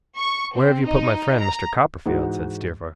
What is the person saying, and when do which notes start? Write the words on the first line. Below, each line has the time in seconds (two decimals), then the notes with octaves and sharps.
'Where have you put my friend, Mr. Copperfield?' said Steerforth.
0.17 C#6
0.56 C4
0.86 D#4
1.38 A#5
2.06 G#2 E3 G#3 F#4